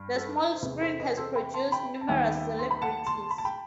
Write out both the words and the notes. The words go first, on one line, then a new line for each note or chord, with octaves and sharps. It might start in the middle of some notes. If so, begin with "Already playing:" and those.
The small screen has produced numerous celebrities.
Already playing: G2
A4
B4
C5
E2 C3 E3 B4
A4 C5
B4 D#5
A4 C5
G5 B5
A5 C6
G5 B5
A5
D#2 D#3 G3 B3 E5 G5
C6
B5
F#5 A5
A5 C6
B5
A5
G5 B5